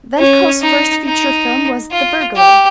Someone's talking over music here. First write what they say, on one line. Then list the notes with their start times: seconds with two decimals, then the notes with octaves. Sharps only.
Wendkos' first feature film was "The Burglar".
0.18 C#4
0.62 D#4
1.05 D#4
1.92 F4
2.36 G4